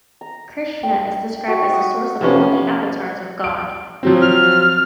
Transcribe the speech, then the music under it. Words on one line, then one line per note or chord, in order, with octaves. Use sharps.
Krishna is described as the source of all the avatars of God.
A#5
G5
F#4
D#6
C3 F3 B3 C#4
D7
F3 F#3 C4
F6